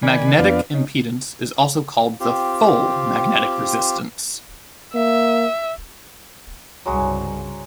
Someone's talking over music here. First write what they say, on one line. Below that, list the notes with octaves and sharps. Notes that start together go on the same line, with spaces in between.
Magnetic impedance is also called the "full" magnetic resistance.
D#3 D5 G#5 B5
F2 B3 D4 B4 D5 F5
C#4 D#4
C4 F4 G4
A#3 E5
C2 G2 C#3 F#3 G#3 F#4